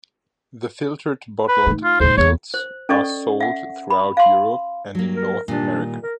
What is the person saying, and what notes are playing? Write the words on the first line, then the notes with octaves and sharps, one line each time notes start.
The filtered bottled ales are sold throughout Europe and in North America.
B4
A3 D#4
F4
D#2 A#2 C5
E2 C#5
C5
C#4 A4 D5 D#5 C#6
E5 F#5
B5
F5 C6
F#3 A#3
A#4
A#2 D#3 G3 D4
A#4